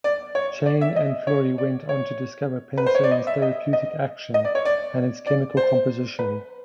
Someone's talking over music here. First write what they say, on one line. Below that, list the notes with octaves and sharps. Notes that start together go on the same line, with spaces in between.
Chain and Florey went on to discover penicillin's therapeutic action and its chemical composition.
D5
C#5
D5
E5
D#5
C#5
D5
C#5
B4
C5
C#5
D5
D#5
E5
D#5
D#5
D#5
D5
C#5
D5
D5
C5
B4